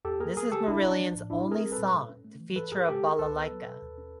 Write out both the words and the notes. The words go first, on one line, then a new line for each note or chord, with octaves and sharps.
This is Marillion's only song to feature a balalaika.
E2 G4 A4
A#3 G#4 A#4
F#3 G#4 A#4
C#3 G4 A4
A#1 D4 E4
A#1 D4
F3
A2
A#1 D4 E4
C4 G#4 A#4
G3
A4 B4
A#2
G#2
C#4
A3
E3
G#2 A4 B4
G#2 G#4 A#4
G#3 G4 A4
D#3 G#4 A#4
C#2 A4 B4
B3
F#3
B2
D#2
C#4